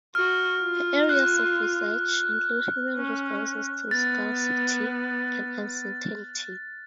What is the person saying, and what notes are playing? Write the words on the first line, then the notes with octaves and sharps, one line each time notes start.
Her areas of research include human responses to scarcity and uncertainty.
F#4 F6
F4
F#6
C#4
B3 A6